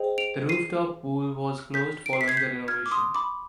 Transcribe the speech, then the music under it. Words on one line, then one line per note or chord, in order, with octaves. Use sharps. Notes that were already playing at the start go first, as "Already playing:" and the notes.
The rooftop pool was closed following the renovation.
Already playing: G#4 C5 D#5 G5
D7 F7
C7 D#7
G6 B6
D7
C7
B6
G#6 C7
G6 B6
F6 G#6
D6
C6 D#6
B5 D6